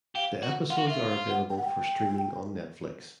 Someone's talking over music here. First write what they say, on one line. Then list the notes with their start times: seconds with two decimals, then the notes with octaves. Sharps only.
The episodes are available for streaming on Netflix.
0.16 G4 F5
0.43 F#4 F#5
0.70 F4 F#5
0.78 F#4
0.87 F4 E5
1.10 F5
1.30 F#5
1.50 G5
1.58 F#5
1.64 G5